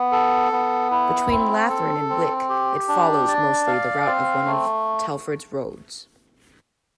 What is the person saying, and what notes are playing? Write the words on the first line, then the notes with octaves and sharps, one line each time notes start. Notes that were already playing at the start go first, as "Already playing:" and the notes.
Between Latheron and Wick it follows, mostly, the route of one of Telford's roads.
Already playing: B3
A4
B3
E4
C4
A4
C4
G4
D4
D5
F5
C4
A3